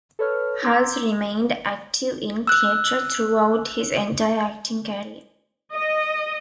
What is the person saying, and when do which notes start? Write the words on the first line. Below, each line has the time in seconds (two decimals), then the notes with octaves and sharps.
Hulce remained active in theater throughout his entire acting career.
0.19 A4 B4 C#5 F6
0.64 A#5 C6 D6 E6 G6 G#6
2.47 E6 F#6
5.72 D#5